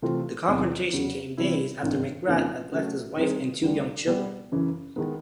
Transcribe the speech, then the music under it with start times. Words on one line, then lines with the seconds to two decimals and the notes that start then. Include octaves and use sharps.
The confrontation came days after McGrath had left his wife and two young children.
0.02 C3 E3 A3 C4 F4
0.48 E2 C3 D#3
0.93 E2 C#3 F#3
1.37 C3 E3 G3 B3 E4
1.82 G#1 G2 D#3
2.27 F2 C#3 F3 A#3 D#4
2.72 C#3 F#3 A3
3.17 D#3 G3 C4 D#4 G#4
3.62 D2 D3 G3
4.06 B2 G3 B3
4.52 F#2 C#3 E3
4.96 D#3 G#3 B3